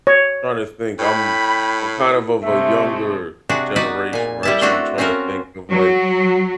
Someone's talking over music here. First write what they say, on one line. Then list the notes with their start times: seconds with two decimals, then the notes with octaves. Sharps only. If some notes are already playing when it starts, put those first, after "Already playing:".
Tryna to think, I'm I'm kind of of a younger generation, right? So, I'm tryna to think of like
0.07 C#5
0.99 A2 G5 B5
2.11 E4
2.42 C3 G#3 A3 E5
3.49 C3 D4 F#4 G#4
3.76 B3 D#4 F#4 B4 D5
4.13 A#2 G#5
4.43 G3 E4 A5
4.61 A3 C4 D4 E4 F#4 A4
4.98 C4 C#4 F4 F#4 A#4
5.69 F#3